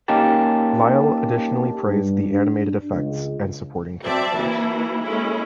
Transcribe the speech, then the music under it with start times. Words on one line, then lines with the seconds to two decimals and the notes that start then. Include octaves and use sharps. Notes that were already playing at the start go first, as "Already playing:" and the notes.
Lyle additionally praised the animated effects and supporting characters.
0.08 A#3 C#4 D#4 G4 A5
1.85 G2
2.32 D4
2.90 C#2
4.04 F#3 C4 D5 E5 A5
4.36 E3 F#3 A#3 E4
5.02 G#3 A#3 C#4 E4 A4